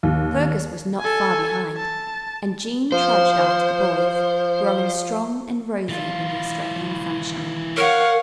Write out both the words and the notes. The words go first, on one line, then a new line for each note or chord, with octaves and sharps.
Fergus was not far behind, and Jean trudged after the boys, growing strong and rosy in the Australian sunshine.
D#2
A4 G#5
A5
F3 C5
E3 F4
A#4 C#5 F5 F#5